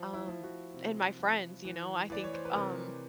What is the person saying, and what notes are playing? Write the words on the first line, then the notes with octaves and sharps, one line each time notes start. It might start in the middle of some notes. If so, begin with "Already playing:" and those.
um, and my friends, you know, I think, um,
Already playing: F3
E4
F3
F#4
C3
F3
E3
E3 D5
C#5
C5
B4
C3 A#4